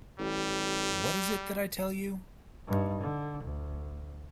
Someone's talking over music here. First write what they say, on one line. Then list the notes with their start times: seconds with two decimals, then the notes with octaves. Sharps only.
What is it that I tell you?
0.19 A1 G3
2.68 G2 D#4
3.02 D3
3.45 D2